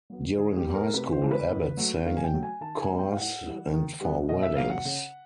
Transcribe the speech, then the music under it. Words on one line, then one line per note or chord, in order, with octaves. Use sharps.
During High School, Abbot sang in choirs and for weddings.
F#3 B3
D3 G#4
G4
G3 B3
A#4
C3 B4
C5
E3 G#3
B4
A2
F#3 A3
D#3 F5
G#5
G5
F#3 A3
G#5
D#3 A5
G#5
G#3 B3
G5
F5
A2 F#5
E3 G3
D#3
G3 B3
B2 D#5
E5
F#3 B3 F5
F#5
C#3